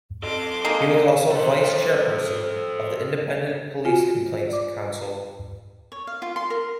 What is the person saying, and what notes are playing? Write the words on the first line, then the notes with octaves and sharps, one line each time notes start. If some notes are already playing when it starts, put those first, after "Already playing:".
He was also vice-chairperson of the Independent Police Complaints Council.
A4 D#5 C6 D6
G#3 A#3 D#4
A4 C5
F4 F#4 G#5
D5 D6
C#5
F5
F4
C6
A#4